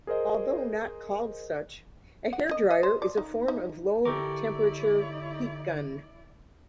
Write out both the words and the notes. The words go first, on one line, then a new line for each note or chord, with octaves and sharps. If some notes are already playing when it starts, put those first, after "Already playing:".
Although not called such, a hair dryer is a form of low-temperature heat gun.
G#4 A#4 C5 D#5
F#5
D#5
D#5
C5
D5
D#4
D#4
D3 E4 G4 A4 A#4 D5 C#6 D6